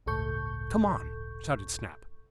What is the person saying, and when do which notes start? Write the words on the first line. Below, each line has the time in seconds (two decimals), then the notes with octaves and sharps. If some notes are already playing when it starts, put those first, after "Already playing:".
"Come on!" shouted Snap.
0.06 G1 C#2 A2 A4 C#6 G6